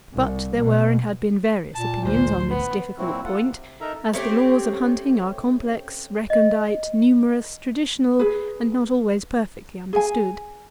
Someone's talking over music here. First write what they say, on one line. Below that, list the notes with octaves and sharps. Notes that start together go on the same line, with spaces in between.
But there were and had been various opinions on this difficult point, as the laws of hunting are complex, recondite, numerous, traditional, and not always perfectly understood.
C2
B2
A#2 A5
A1 D2 C5 C6
B3 B4
A#2 F#3 C4 E4 F#4
F4 A4 F#5
C3
D#4 A4 A#4 E5 A#5
A3 C4 C#4 G4
D#5
G#4 B4
G#4 G#5